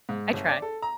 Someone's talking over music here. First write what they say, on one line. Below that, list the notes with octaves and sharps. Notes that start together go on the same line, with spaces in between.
I try.
G#2
G1
D5
A4
A#5